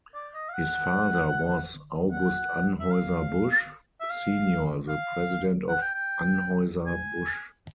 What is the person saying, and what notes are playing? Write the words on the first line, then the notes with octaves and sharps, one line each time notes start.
His father was August Anheuser Busch Senior the President of Anheuser-Busch.
D5
D#5
F5
F#5
F#5
E5
F5
E5
F5
F5
F#5
G5
G5
G#5